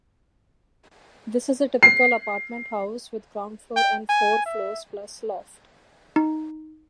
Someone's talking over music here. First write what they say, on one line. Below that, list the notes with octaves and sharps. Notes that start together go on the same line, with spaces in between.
This is a typical apartment house, with ground floor and four floors plus loft.
C7
G5
G#5
E5
D#4